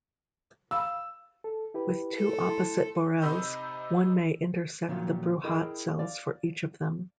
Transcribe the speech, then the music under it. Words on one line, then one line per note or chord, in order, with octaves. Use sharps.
With two opposite Borels one may intersect the Bruhat cells for each of them.
F5 B5 E6
A4
E4 G4 B4
A3 A4
E4 A5 C6
C3 D#4 D#5 B5 E6 G6
A#2 D#3 F3 F#3 F4
E4 G#4 A#4 D#5 G5 B5
D5 F5